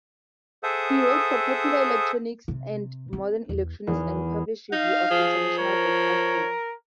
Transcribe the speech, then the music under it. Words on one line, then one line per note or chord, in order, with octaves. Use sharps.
He wrote for "Popular Electronics" and "Modern Electronics", and published "Review of International Broadcasting".
G#4 A4 C5 E5 F#5 D#6
C3
C4
E2
E2
D#4 F5
F3 G#4
A#4 C#5